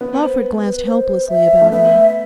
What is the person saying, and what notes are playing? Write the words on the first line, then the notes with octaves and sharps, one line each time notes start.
Lawford glanced helplessly about him.
B3
C5
B4
B4
C5
E5
A3
B3 E5